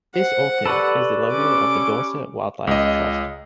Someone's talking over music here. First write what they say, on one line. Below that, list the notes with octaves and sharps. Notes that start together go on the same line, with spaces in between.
This orchid is the logo of the Dorset Wildlife Trust.
C5 F#5
G4 A4 B4 D5 B5 C#6
C#4 D6
C#2 D#5